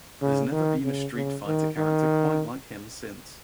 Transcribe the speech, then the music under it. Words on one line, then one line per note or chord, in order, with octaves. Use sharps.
There's never been a Street Fighter character quite like him since.
C#3
D#3
C#3
C#3
D#3
D#3